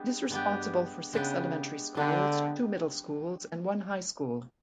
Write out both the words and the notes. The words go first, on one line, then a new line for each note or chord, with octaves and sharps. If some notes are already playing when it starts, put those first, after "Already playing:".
It is responsible for six elementary schools, two middle schools and one high school.
Already playing: G#3 B3 D4 G4
G2 G#3 B3 D4 G4
C#3 G#3 B3 D4 G4
D3 G#3 B3 D4 G4